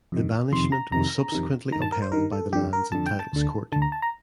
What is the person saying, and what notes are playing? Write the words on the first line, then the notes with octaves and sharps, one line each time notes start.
The banishment was subsequently upheld by the lands and Titles Court.
F2 C3 D#3
F2 C3 D#3 C6
A#5
F2 C3 D#3 A#5
F2 C3 D#3
G2 D#3 A#5
A5
A#4
C5
G2 D#3 A#4
A4
F2 D3 G4
A#4
F2 D3 A5
G5
A5
D2 D3
D2 D3 A5
A#5
A5
A#5